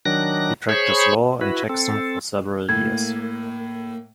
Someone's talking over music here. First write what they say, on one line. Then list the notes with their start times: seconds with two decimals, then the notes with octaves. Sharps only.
He practiced law in Jackson for several years.
0.05 D#3 F#3 D4 F#6 A#6
0.69 G#4 C5 C#5 B5 C#6
1.41 E4 F#4 B4
1.69 C4 A4
2.69 A2 A#3 G#6